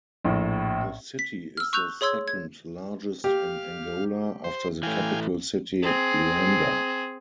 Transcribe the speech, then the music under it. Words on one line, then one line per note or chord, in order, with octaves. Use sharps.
The city is the second largest in Angola, after the capital city, Luanda.
A#1 A2
B6
E6 F6
C#6 E6 F#6 G6 F7
G#4 C#5 C6 E6 G#6
G#6
G4 F5
C5
E3 A3 F5 G5 G#5
C4 G#4